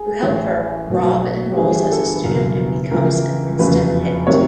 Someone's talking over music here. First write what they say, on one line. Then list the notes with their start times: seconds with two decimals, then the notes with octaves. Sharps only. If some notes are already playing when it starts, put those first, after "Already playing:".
To help her, Rob enrolls as a student and becomes an instant hit.
Already playing: G#4
0.23 A1 A2 E3
0.90 B1 B2 F#3
1.52 G4
1.58 G1 G2 E3 G#4
1.76 G4
1.83 G#4
1.92 A4
2.15 B4
2.24 F#1 E2 B2 F#3 A#4
2.92 C#2 C#3 E3 A#4
3.59 F1 E2 C#3 F#3 B4
4.27 C3 D#3 F#3 C#5